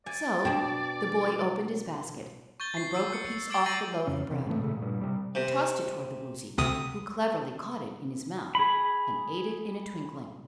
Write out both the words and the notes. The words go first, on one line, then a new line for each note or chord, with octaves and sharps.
So the boy opened his basket and broke a piece off the loaf of bread. He tossed it toward the Woozy, who cleverly caught it in his mouth and ate it in a twinkling.
D5 G#5
B2 D4 G5
C#6 G6 A6 G7
C7
E6 C7
C#7
D6 E6 A6 D7 G7
G6 A6 A#6 C7 D#7 F#7
F2 C#3 C#4
C3 E3
G#2 C#3 E3 A3
A#2 C#3 A3
G2 A#2
C3 G3
C3
D2 C3 D#6
G#4 B5